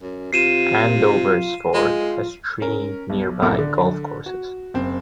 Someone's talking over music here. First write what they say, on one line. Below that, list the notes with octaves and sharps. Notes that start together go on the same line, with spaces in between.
Andoversford has three nearby golf courses.
F#2
C3 F4 C7 D#7 E7
G#3 F4
C#4 A#4
B1
C#2 A2 C3 A4 A#4 D6
D3
F#4
F#1 C4